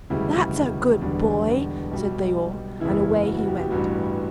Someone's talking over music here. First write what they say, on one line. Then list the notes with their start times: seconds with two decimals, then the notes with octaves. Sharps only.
"That's a good boy!" said they all, and away he went.
0.10 E1 D2 C#3 G3 E4
1.01 E1 E2 D3 G3 D4
1.91 B1 B2 G3
2.80 F#1 E2 C#3 E3 E4
3.26 F#4
3.37 F#4
3.48 G4
3.59 G4
3.70 A1 G2 E3 G3 F#4